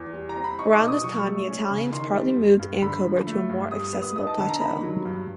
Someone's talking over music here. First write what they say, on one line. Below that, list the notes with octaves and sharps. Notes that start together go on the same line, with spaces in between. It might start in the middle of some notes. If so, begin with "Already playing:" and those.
Around this time the Italians partly moved Ankober to a more accessible plateau.
Already playing: E2
G3
A#5
C4
B5
D#4 C#6
D6
B2
D#6
F#3 C#6
A3
C#4
C#3
D#3 C6
G3
G2
G2
D3 B5
F3
A3
G2
G3 D#6
B3
D#6
D#4 D#6
A5
D3 A5
A#5
D#3 B5
F#3
G2